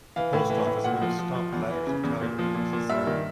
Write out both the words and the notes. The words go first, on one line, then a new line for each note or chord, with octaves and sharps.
"The Post Office would have stopped letters or telegrams," he said.
E3 F5
A2
E3
A2
A#2 F#5
F3
F3
F3
E2
E3
C#3
E2
A#2
F3
A#2
A#2
G2 E5
D#3